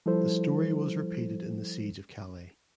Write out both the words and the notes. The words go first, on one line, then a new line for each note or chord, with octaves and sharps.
The story was repeated in the Siege of Calais.
F3 G3 E4 A4 C5